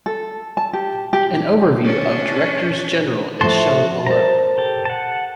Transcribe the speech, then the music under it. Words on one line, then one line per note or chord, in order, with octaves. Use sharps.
An overview of Directors-General is shown below.
A4
A5
G4
G4
C#4 D4
A2 F3 A3 F#4 A5 C6
A#4 C5 A5 A#5
G4 A4
F#5 A5